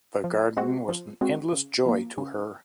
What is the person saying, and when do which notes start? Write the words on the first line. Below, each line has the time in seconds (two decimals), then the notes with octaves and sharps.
The garden was an endless joy to her.
0.24 F3
0.57 G#3 C4 F#4
0.89 F3
1.21 G#3 C4 F#4
1.53 C#3
1.86 F3 A#3
2.18 C#3